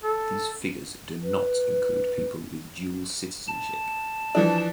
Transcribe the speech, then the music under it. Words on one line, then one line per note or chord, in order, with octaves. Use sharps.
These figures do not include people with dual citizenship.
A4
B4
A5
E3 F3 D4